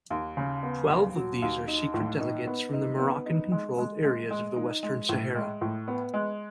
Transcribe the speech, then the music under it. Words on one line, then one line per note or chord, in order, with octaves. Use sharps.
Twelve of these are secret delegates from the Moroccan-controlled areas of Western Sahara.
D#2
C#3
B3
D#2
F#3
D#2
D#4
A2
D#4
B3
D#4
B3
D#4
G#3
G#3
G#3
G#3
D#4
G#3
A2
G#3
A2
B3
G#3